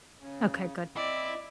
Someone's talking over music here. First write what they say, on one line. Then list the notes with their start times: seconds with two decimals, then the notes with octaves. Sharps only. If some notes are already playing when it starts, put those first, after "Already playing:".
Okay, good.
0.20 C#3
0.96 C4 E4 D5 D#5